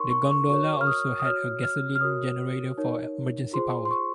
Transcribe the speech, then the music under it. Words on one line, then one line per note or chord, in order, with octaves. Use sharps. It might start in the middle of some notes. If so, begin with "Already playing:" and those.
The gondola also had a gasoline generator for emergency power.
Already playing: D#4 A#4 C#5 C6 C#6
C#6
C#6
F#4 A#4 C#5 C#6
F6
D#6
D#6
F#4 C#5 F6
F6
F6
F#4 A#4 C#5 D#6
D#4 A#4 C#5
F4 G#4 C5 C6
C6
C#6